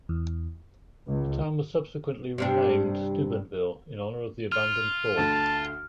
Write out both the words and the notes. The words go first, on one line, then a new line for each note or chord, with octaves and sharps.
The town was subsequently renamed Steubenville, in honor of the abandoned fort.
E2
C#2
G2 C3 D4
F4 F6
D2 D3 A5